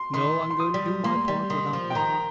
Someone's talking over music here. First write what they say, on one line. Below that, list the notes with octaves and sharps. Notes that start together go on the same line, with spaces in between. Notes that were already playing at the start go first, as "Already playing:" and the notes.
"No; I'm going to do my part without that."
Already playing: C6
D#3 C6
C6
D#6
G3
A#3 C6
G3
D#3 C6
F3
G5
D#3 A#5